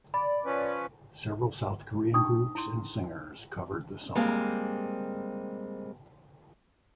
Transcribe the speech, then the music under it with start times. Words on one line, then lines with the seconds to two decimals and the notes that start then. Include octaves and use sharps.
Several South Korean groups and singers covered the song.
0.14 D5 B5
0.45 F3 C#4 B4
2.14 D4 D#4 G5 C#6 D#6
2.55 E4 C6
4.15 G3 G#3 A#3 C4